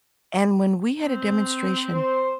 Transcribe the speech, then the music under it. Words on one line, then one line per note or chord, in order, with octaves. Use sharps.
and when we had a demonstration,
C4
C5